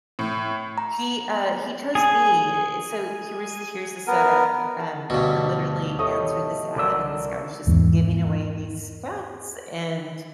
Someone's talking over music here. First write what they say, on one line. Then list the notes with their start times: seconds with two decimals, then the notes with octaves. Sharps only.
he, uh he chose me, eh, so here was here's the setup. Um, I literally answered this ad, and this guy was just giving away these cats, and,
0.19 A2
0.78 A#5
1.95 G#4 G#5
4.07 B3 A#4
4.80 A5
5.10 D2 G2 B2 C#5 D6 E6
5.99 A3 E4 G4 C#5 D#5
6.76 C2 F#4 A#4 D5 E5
7.67 E2 G#2